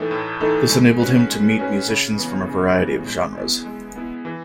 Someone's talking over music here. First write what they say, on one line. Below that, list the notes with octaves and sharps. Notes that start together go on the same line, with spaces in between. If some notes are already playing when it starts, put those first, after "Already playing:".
This enabled him to meet musicians from a variety of genres.
Already playing: A2 E3 A3 D#4 A4
A2
E3 A3 D#4 A4
G#3
C#4 F#4 B4
G#3
C#4 F#4 B4
C#3
E3 B3
C#3
E3 B3
G#3
B3 E4
G#3
B3 E4
E3